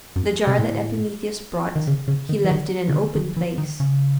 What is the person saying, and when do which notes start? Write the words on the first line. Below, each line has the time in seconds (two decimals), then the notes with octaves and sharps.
The jar that Epimetheus brought he left in an open place.
0.16 F#2
0.47 C3
0.59 A2
1.76 D#3
1.87 C#3
2.08 C#3
2.29 D#3
2.45 E3
2.51 D#3
2.89 C#3
2.94 D#3
3.15 D#3
3.37 E3
3.58 D#3
3.80 C#3